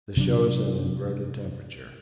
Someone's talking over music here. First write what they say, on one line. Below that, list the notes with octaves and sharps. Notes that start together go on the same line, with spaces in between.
This shows an inverted temperature.
C3 F#3 D4